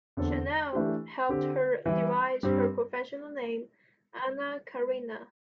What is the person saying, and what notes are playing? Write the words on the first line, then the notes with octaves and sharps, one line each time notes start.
Chanel helped her devise her professional name, Anna Karina.
E2 D3 C4 A4 C5
E3 A3 D4 G4
D3 C4 G4
E3 G3 E4
G2 G3 C4 G4